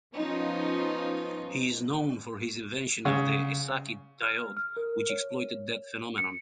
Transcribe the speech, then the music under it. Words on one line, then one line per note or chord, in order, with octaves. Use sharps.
He is known for his invention of the Esaki diode, which exploited that phenomenon.
F3 B3 C#4 D#4 F4
C#3
F6
F6
A#4
C#5
C#7